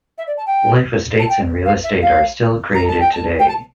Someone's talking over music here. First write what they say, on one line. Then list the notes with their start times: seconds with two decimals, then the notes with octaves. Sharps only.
Life estates in real estate are still created today.
0.18 E5
0.27 D5
0.37 A5
0.46 G5
1.19 A5
1.29 G5
1.65 F5
1.84 E5
2.02 F5
2.74 A#5
2.87 A5
3.00 G5
3.13 A5
3.39 G5
3.48 A5